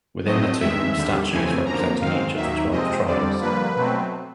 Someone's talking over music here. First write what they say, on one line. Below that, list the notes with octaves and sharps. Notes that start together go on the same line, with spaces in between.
Within the Tomb were statues representing each of the Twelve Tribes.
A2 F#3 A3 C4 D#5
G2 D#3 G#3 E5
D#2 D3 G3
F2 C#3 E3 A3 C4 G#5
F#2 D3 F3 A#3 A#5
G#2 D#3 G#3 C4 F5
D#2 D#3 F#3 A#3 E5
C3 F3 G#3 C4 D#5
F2 D3 G3 C4 D5
G2 D3 F3 A#3 B4
B2 F#3 A3 C4